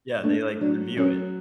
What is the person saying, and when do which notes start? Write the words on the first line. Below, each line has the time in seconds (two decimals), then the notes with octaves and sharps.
Yeah, they, like, review it.
0.24 A3 D4
0.60 F#3 D4
0.97 F#3 C#4